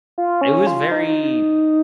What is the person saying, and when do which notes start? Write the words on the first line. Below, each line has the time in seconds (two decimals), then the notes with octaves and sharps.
It was very
0.18 F4
0.41 C#4
0.67 F4
0.92 D#4